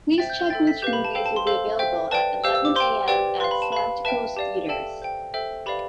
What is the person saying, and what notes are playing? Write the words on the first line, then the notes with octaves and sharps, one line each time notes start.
Please check which movies will be available at eleven A.M. at Santikos Theatres?
C5 E5 G5 A6
G6
G6
A4 E5 G5 A6
B6
G4 B4 F5 G6
B5
A5
A4 C5 F5 G5
A5
C6
A4 C5 F5
C5 E5 G5
B4 D5 G5 A5
G4 C5 F5 E6
E6
D6
C5 G5 C6
G4 B4 D5 G5
B4 F5 C6
B5
A5
B4 F5 B5
B4 E5 G5 A5
G4 D5 F5 A5
A4 E5 G5 A5
C5 G5
A4 C5 E5 G5
G4 B4 D5 F5 B5